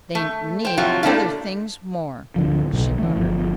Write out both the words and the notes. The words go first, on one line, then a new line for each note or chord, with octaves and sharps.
"They need other things more," she muttered.
A3
C5 G5
C3 F3 F#3 F4
A3 A#3 D4 E4 F5
D1 D3 F3
B1 B2 F#3
E3 A3
G1 F3